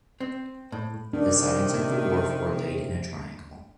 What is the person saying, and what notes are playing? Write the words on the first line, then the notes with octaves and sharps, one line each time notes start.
The sidings at the wharf were laid in a triangle.
C4
A2
C3 D#3 D4